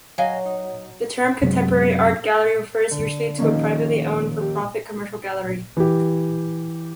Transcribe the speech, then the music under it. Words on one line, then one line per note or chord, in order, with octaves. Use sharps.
The term contemporary art gallery refers usually to a privately owned for-profit commercial gallery.
F#3 D#5 F5 G#5
D#4
F#2 C3 F#3 G#3
D3
D#2 D#3 F3 A#3 C#4
A#2
G4
E3 G4